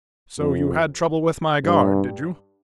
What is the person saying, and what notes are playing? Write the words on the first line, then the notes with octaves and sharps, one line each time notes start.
"So you had trouble with my guard, did you?"
F2
G2